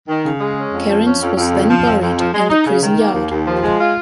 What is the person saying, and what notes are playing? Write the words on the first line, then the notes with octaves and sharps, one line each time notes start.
Kerins was then buried in the prison yard.
D#3
C#3
G#3
C#4
F2
F3
C#4
F2
F2
C#3
F3
F2
F2
F3
G#3
D#4
C#3
D#3
A#3
D#2
D#2
F3
G#3
F4